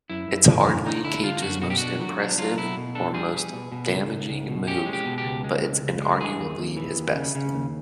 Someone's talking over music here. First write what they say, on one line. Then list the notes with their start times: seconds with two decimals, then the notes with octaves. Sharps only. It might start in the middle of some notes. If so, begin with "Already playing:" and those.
It's hardly Cage's most impressive or most damaging move, but it's inarguably his best.
0.10 F#2 E4
0.28 F#2
0.47 F#2
0.67 D3
0.86 D3 D#4
1.04 D3 E4
1.23 D3 F4
1.42 F#2 F#4
1.62 B2 F#4
1.70 G4
1.78 D4 F#4
2.01 F#3
2.20 D4
2.38 F#3 F4
2.57 B2 E4
2.77 B2
2.95 D4 A4
3.14 G3 G#4
3.34 G3
3.53 B2
3.72 B2
3.90 C#2
4.10 C#2
4.29 C#2
4.48 B2
4.67 C#4 G4
4.86 G#3
4.93 G4
5.05 B2
5.18 G4
5.25 C#2
5.44 G#3
5.63 C#2
5.82 C#2
6.02 G#3
6.20 E3 G#4
6.39 D#2
6.58 D#2
6.77 E3
6.96 D#2
7.15 C#3
7.35 C#3
7.54 D#2